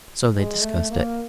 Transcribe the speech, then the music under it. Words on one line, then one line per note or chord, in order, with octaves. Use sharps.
So they discussed it.
G#3
A3
A#3